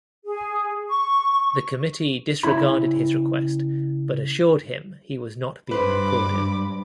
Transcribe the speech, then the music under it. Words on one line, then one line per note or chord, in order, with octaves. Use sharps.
The committee disregarded his request but assured him he was not being recorded.
G#4
C#6
C#3 C#4 E4 B5
G2 B4 C5 B5 D6